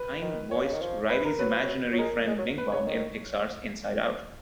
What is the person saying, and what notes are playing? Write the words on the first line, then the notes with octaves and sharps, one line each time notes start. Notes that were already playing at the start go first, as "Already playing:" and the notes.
Kind voiced Riley's imaginary friend Bing Bong in Pixar's "Inside Out".
Already playing: B4
D#3
C#5
C#3
D#3
F3
B4
A#4
F#3 B4
F3
F#3
F#3
G#3 A#4
G#3
F#3
B4
C#3 C#5
D#3